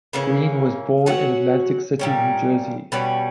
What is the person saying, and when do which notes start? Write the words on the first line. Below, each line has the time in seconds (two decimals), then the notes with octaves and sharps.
Green was born in Atlantic City, New Jersey.
0.13 C#3 E3 A#3 C#4
1.06 F#3 C#4 F#4
1.99 A#2 G3 C#4
2.92 B2 G3 C#4